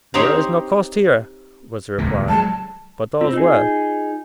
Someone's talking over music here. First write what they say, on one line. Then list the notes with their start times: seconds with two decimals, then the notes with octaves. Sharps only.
"There is no coast here," was the reply, "but all's well."
0.14 C4 D#4 G4 C5 C#5
1.98 D#1 C#2 A#2
2.28 F#3 G#3 A5
3.21 C4 F4
3.33 D#4 G#4